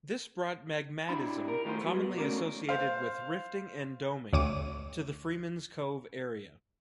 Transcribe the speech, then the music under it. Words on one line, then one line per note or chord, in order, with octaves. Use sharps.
This brought magmatism commonly associated with rifting and doming to the Freemans Cove area.
G3 D4 E4 B5
A#4
D#3 A3 D#4 F4 G#4 C5
F#3 B3
B2
E2 A3 C#4 A#4 D5
C5 F5
D2 C#5 D6 D#7